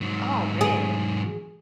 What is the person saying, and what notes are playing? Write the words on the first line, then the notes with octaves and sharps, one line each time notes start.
Oh, man.
G#2 F#3
G#4